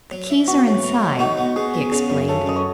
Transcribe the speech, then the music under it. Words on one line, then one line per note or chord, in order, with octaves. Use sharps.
"The keys are inside," he explained.
F#3
E4
B3 F#4
A2
E3
A2
D#4 F#4
B3
B3 G#4
B3
C#3 G#4
F#2
C#3 A4
F#2 D#5
C#5